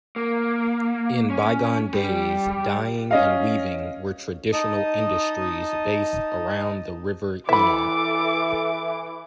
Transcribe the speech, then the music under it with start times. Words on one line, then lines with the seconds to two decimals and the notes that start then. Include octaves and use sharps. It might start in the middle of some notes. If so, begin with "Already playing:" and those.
In bygone days, dyeing and weaving were traditional industries based around the River Ehen.
0.16 A#3
1.30 C#4
1.94 G3
3.11 C#4 D#5 F5
4.53 D#4 D#5 A5 D#6
7.49 E3 A4 E5 B5 D6